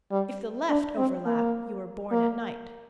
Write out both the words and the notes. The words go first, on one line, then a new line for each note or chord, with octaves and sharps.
If the left overlap, you were born at night.
G3
D4
C4
A#3
A#3